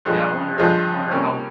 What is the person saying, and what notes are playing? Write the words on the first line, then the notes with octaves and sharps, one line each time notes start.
Yeah, I wonder I wonder how
G2 F3 G#3
G2 F3 G#3
C3 G3 A#3 C#4